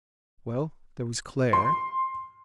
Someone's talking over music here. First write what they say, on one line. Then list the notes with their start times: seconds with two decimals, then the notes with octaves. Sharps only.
Well, there was Clare.
1.53 C6